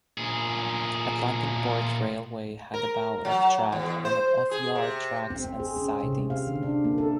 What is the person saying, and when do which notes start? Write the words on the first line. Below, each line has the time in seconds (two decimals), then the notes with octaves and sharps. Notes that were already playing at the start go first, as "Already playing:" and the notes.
Atlantic Port Railway had about of tracks and of yard tracks and sidings.
0.18 A#2 G#4
2.74 A#4
3.25 F#3
3.72 E2
4.05 C5
4.51 G#4
4.75 C3
5.30 C4
5.44 C4
5.60 G#4
5.76 C#4
6.03 C3
6.17 C4
6.30 F5
6.47 D3
6.63 D4
6.84 A#3
6.98 A4